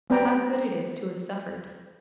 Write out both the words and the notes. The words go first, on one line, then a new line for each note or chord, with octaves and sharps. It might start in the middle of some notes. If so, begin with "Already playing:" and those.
How good it is to have suffered!
B3 C4 B4 D5 G5 A#5